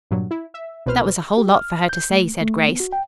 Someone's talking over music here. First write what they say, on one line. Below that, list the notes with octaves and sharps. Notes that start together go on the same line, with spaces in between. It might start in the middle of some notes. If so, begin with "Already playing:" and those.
"That was a whole lot for her to say," said Grace.
G2 A#2 F#3
E4
E5
C2 B2 B4 C5 F6
G4
F6
G6
A3
A3
B3
F#4
G5